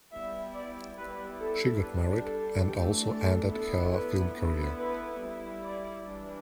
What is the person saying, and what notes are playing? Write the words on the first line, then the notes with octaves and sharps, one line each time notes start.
She got married and also ended her film career.
G3 B3 E4 E5
D5
G3 B3 E4 B4
A4
G3 D4 B4
A4
E3 A3 D4 G4
A4
D3 B3 E4 A4
B4
D3 B3 E4
B4
G3 E4
D5
E3 G3 D4